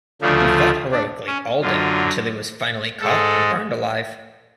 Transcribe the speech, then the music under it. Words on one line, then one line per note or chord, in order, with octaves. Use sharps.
He fought heroically all day until he was finally caught and burned alive.
D2 C#3 F3 A3 D4
F4
D4
C#4
F#2 D3 F#3 F4
G#2 G#3 A4